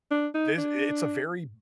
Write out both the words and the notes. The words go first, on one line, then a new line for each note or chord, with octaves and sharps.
this it's a very
D4
D#4
D4